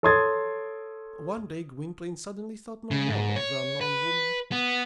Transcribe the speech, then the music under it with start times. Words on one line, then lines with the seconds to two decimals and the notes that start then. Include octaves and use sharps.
One day Gwynplaine suddenly thought no more of the unknown woman.
0.03 A4 C#5 C6 D#6 G#6 A6
2.91 C#3
3.09 G#2
3.36 C#5
3.81 B4
4.52 B3